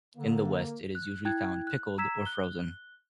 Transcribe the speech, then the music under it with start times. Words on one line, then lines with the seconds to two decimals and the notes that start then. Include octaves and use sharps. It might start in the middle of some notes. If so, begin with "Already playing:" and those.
In the west it is usually found pickled or frozen.
0.17 D3 A#3
0.95 F#6
1.25 E4 G5 F#6 G#6
1.67 F#6
1.98 A#5 E6 G#6 B6 E7
2.25 F#6 G7